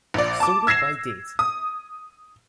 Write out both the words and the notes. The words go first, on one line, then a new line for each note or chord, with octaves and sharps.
Sorted by date.
A#1 D5
A5 D6
E6 G#6 A#6 C7 E7
D#6